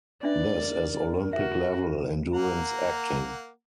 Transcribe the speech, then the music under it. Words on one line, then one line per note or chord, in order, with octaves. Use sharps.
This is Olympic-level, endurance acting.
C#4 D4 B4 D5 E5
A#4
F#4 E5
A#3 F#5 A#5